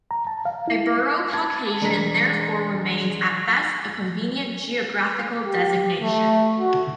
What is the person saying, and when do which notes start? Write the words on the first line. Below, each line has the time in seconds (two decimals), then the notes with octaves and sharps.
"Ibero-Caucasian" therefore remains at best a convenient geographical designation.
0.11 A#5
0.27 A5
0.45 F5
0.68 E4
1.33 A5 D6 G#6
1.81 E1 G#3 A#5 B6
5.44 G4
6.01 A3
6.60 F#4